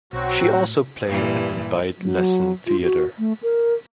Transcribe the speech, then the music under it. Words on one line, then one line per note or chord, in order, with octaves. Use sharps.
She also played at the Beit Lessin Theater.
B1 F#3 C4 F#4
A2
G2 A#2 E3
F#3
F4
F#4
A3
A#4